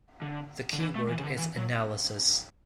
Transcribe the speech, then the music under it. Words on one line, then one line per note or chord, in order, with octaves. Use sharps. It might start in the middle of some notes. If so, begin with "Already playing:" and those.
The key word is analysis.
D3
D3
E3
A3
E3
C#3
D3
E3
F#3